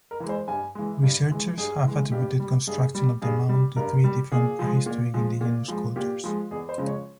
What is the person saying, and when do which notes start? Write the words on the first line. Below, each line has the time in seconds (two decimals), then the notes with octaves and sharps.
Researchers have attributed construction of the mound to three different prehistoric indigenous cultures.
0.11 A#4
0.20 E3 G#3
0.29 C5
0.48 G2 G#5
0.75 E3 G#3
1.03 G2
1.30 E3 G#3
1.57 G2 G#4
1.85 E3 G#3
2.12 G2 G4
2.40 G3
2.67 G2 G#4
2.95 G3
3.22 G2 G#4
3.49 G3
3.76 G2 A#4
4.04 G3
4.32 A#2 G#4
4.59 F3 G#3
4.86 A#2
5.14 F3 G#3
5.41 A#2
5.68 F3 G#3
5.96 A#2 G4
6.24 F3 G#3
6.51 E2 G#4
6.69 C5
6.78 C#3 F3 G#3
6.87 C#5